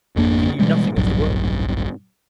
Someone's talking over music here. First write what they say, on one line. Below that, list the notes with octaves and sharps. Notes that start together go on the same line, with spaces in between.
She knew nothing of the world.
G#1 F2 A#3 D4
B2 E3 G3 G#3
D1 A#1 G2 F#3